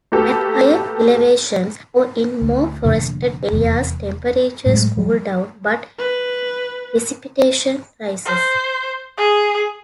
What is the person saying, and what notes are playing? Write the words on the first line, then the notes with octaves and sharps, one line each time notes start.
At higher elevations or in more forested areas temperatures cool down but precipitation rises.
A3 A#3 F#4 G4 A4 B4
D2
F1 F2 A#2 D3
F1 E2
A2 F#3 G#3
F3 G3 G#3
B4
C5
G#4